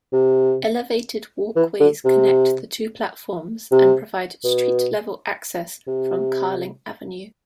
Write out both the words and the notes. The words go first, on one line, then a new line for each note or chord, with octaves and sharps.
Elevated walkways connect the two platforms and provide street level access from Carling Avenue.
C3
E3
D3
C3
C3
B2
C3